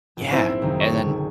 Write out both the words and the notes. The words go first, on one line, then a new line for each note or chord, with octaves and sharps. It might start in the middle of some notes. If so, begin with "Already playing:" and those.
Yeah, and then
A#1 G#2
C4 E4
F#1 D#3 D#4
C#6
C#2 D3